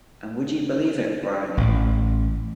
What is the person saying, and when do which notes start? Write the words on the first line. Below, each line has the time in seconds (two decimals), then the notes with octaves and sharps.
And would you believe it, Bryony?
1.57 A1